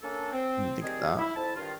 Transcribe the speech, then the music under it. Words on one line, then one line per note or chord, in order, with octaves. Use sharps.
didn't think of that.
A#3 C#4 D4 A4
C4
D#3 G3 C4 D#4 G#4
E4
F2 F3 E4 A5
G2 D#3 F4